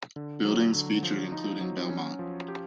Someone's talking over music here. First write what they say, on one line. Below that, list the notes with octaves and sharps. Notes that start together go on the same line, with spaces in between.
Buildings featured included Belmont.
D3
F#3
D3
F3
D#4
F#3
C#4
F3
G4